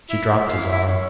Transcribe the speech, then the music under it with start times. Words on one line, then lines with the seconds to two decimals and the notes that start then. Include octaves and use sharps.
She dropped his arm.
0.10 E4
0.48 F4
0.60 E4
0.72 E4
0.84 C#4